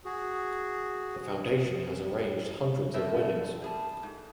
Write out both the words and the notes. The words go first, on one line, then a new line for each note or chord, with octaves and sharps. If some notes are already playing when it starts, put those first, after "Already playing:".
The foundation has arranged hundreds of weddings.
F#4 G#4
B2 D3 A3 C4 A#4 E5
G3 G#4 A5
G#2